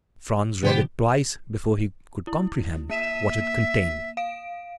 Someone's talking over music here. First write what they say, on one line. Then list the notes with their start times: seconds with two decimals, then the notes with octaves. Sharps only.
Franz read it twice before he could comprehend what it contained.
0.63 B2 D3 F3 B3 G4 C5
2.27 E4
2.90 A#3 E5 D#7 E7
4.17 F5 D7